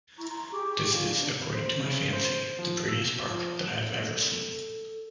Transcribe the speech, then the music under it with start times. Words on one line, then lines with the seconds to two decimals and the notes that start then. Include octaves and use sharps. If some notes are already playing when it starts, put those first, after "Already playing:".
This is, according to my fancy, the prettiest park that I have ever seen.
0.18 E4 A#5 C#6
0.30 A#5 C6
0.52 G4 G#4 C#6 D6
0.93 F4 D5 F5
1.08 D4
1.54 C5
1.84 C#3
2.13 C5
2.59 F3
2.88 E6
3.26 F3
3.88 A4